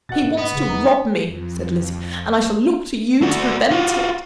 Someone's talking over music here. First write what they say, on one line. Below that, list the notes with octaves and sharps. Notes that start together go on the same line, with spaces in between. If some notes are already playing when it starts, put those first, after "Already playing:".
"He wants to rob me," said Lizzie, "and I shall look to you to prevent it."
B2 F#5 A6
G#2
B3 D#5
D1 C#3
E2 D#4
F2
A3 F#4
F4 F#4